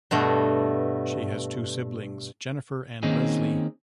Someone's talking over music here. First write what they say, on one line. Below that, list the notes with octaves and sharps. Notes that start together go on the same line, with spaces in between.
She has two siblings, Jennifer and Leslie.
G2 B2 A3 B3
D#3 A#3 C4 C#4 D#4 G#4